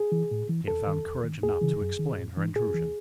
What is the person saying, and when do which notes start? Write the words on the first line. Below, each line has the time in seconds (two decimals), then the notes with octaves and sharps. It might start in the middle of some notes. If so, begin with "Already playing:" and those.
She had found courage enough to explain her intrusion.
Already playing: G#4
0.12 E3
0.31 A2
0.50 E3
0.68 E2 A4
0.87 D#3
1.06 E2
1.24 D#3
1.43 E2 G#4
1.62 C#3 E3
1.81 F#2
2.00 D#3
2.18 A2
2.37 E3
2.55 A2 G#4
2.74 E3